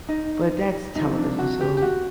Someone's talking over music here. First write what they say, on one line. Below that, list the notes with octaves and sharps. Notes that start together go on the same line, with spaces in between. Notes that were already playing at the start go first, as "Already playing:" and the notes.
But that's television, so
D#4
C2 C3 F3 D#4
D4
F#4
G4
G4
F#4